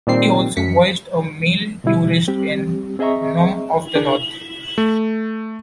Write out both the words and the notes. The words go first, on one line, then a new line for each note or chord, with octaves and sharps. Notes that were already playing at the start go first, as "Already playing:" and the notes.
He also voiced a Male Tourist in "Norm of the North".
A#2 D#3 G3 C4 C7
F#2 B6 C#7
B2 D3 G3 E4
G3 C4 G4
C4 G#4 D#5 E5 A#5 C#6
D4 G#4 A#4
A3